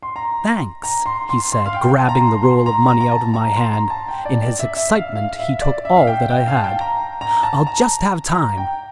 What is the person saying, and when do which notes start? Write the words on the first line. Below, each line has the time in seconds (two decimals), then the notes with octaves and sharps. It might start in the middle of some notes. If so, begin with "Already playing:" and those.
"Thanks," he said grabbing the roll of money out of my hand,--in his excitement he took all that I had.--"I'll just have time."
0.03 C6
0.16 A#5
0.84 A#5
1.06 C6
1.29 C6
1.52 C6
1.66 F5
1.74 G5
1.98 A5
2.09 A#5
2.20 C6
2.43 C6
2.66 A#5
2.88 A#5
3.01 A#5
3.12 A5
3.34 A#5
3.56 C6
3.73 A#5
3.90 A5
4.08 G5
4.25 D5
4.42 D5
4.59 E5
4.77 E5
4.94 F5
5.15 F5
5.39 E5
5.62 D5
5.85 E5
5.97 F5
6.07 G5
6.30 G5
6.47 F5
6.57 A5
6.64 G5
6.81 A#5
7.21 A#5
7.43 A5
7.67 A#5
8.35 A#5
8.58 G5